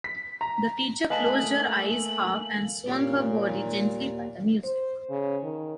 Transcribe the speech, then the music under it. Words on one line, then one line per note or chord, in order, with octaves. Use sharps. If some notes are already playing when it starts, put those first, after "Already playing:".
The teacher closed her eyes half and swung her body gently by the music.
B6
A#5
A3 A#3 B4 D#5 F5 G#5 A5 F#7
A#2 G4 C#5 F5
D#2
C5
C#3
D#3